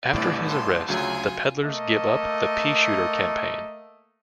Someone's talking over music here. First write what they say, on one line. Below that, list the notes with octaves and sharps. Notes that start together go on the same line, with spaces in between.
After his arrest, the peddlers give up the Pea-Shooter Campaign.
G1 C2 A2 D5
A4 C6
D2 C#3 F#3 F4 G#5
A3 A#3 D#5